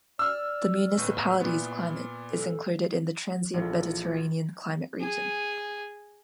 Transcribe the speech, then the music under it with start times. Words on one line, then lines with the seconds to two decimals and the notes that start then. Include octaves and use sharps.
The municipality's climate is included in the transient-Mediterranean climate region.
0.19 D5 E6 F6
0.98 G1 A2
1.40 A#2 B3 E4
2.31 A4
3.54 A#1 E3 F4 A4
5.01 G#4